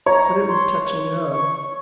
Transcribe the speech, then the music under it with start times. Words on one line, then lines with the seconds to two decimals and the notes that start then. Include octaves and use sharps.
But it was touch and go!
0.06 C#5 A#5
0.48 C6
1.32 C#6